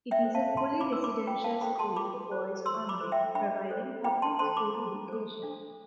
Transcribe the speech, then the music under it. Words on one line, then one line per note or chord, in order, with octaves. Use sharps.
It is a fully residential school for boys only, providing public school education.
E5 G5
A4 C5
F5 A5
E4 A5 C6
B5 D6
B4 E6
B5 D6
F4 G5 B5
F5 A5
A4 C5 G5 B5
A5 C6
F4 B5 D6
A4 C5
F4 C6 E6
B5 D6
A4 C5
E5 G5
D4 G5 B5
A4 C5
E4 G5 B5
A5 C6
A4 C5 A5 C6
B5 D6
E4
A4 C5
D4